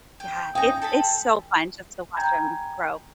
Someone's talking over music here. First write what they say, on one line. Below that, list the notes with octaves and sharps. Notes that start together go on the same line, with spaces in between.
Yeah, it's it's so fun just to watch them grow.
G5
D#4 G5 G#5 A#5
A4 A5 B5
G5 G#5 A#5 B5 G6 G#6